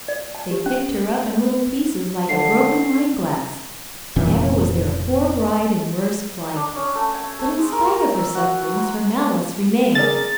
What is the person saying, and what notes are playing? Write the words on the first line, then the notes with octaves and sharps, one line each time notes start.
They picked her up in little pieces, like a broken wineglass; never was there a poor bride in worse plight. But in spite of her sufferings her malice remained.
D5
A5
G4
C#4
D3 C7
F1 A#2 E3 C#4
D4
C#4
A3
G#5
A3
G#3
A#4
A#5
E6
F#4
C6
G#4 A#4 D5 A6